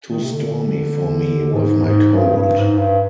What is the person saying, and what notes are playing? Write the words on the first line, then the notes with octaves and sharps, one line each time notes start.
Too stormy for me with my cold.
D#3
C3
D3
G#2
G#2
G2
G2
G#2
G2